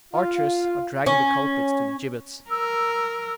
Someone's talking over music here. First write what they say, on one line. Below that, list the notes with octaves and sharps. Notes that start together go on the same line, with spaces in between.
The archers are dragging the culprits to the gibbets.
F4 F5
C#4
A#4 E6